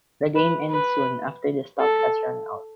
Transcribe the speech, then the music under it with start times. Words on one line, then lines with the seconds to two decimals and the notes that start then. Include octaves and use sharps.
The game ends soon after the stock has run out.
0.35 B4
0.71 B4
1.80 A4